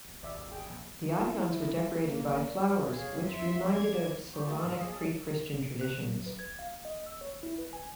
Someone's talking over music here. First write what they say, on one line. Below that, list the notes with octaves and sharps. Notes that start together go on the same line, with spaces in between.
The icons were decorated by flowers which reminded of Slavonic pre-Christian traditions.
G#1 D#2 D5 E5
G#4 G5
A#1 C3
F4
E4
A#3
D5
G#4 C#5 F5
F2 E5 C6
D5 G#6
G4 C#6
A3 F#4 G#4 A4 F5 C#6
G#2 D3 G3 A#4
A#3 G#4 D#5 F5 B6 C7
C#5 A5
F#6
F#3
B4
G#6
F5
D#5
E6
C#5
E4
B4
G#5